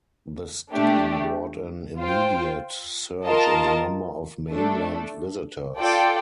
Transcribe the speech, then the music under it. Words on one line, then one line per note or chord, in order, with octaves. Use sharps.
The scheme brought an immediate surge in the number of Mainland visitors.
A3 D4 G4
F4 C5 G5
F4 A#4 D#5 A5
A3 D4 A4
F4 A4 D5 G5